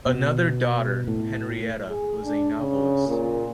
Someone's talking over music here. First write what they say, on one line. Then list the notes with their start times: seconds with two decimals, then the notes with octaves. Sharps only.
Another daughter, Henrietta, was a novellist.
0.06 B2
1.07 A2
1.90 G#4
2.24 D4
2.60 C#3
3.07 A#2